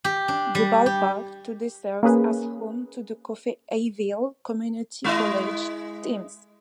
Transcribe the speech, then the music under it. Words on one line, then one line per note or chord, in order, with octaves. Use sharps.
The ballpark today serves as home to the Coffeyville Community College teams.
G4
D4
G3
G4
A#3 C#4 G#4 B4
G#3 E4 D#5